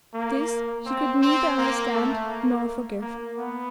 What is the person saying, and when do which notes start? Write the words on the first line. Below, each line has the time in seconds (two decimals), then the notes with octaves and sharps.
This she could neither understand nor forgive.
0.14 A#3
0.86 C4
1.22 C4
1.58 A#3
1.94 A3
2.30 A#3
3.01 A#3
3.37 B3